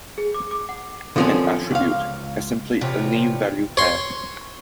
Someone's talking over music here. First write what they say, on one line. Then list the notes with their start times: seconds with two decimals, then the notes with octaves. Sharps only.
An "attribute" is simply a name-value pair.
0.18 G#4
0.34 D6
0.51 D6
0.69 F#5
1.16 D3 D#3 F3 A3 C4 C#4
1.71 C#2 F5
2.81 E2 G2 C3 F4 C#5
3.77 C#5 C6